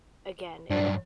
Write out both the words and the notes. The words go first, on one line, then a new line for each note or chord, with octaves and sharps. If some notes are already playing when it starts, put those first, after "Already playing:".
again i i
G2 F#3 D4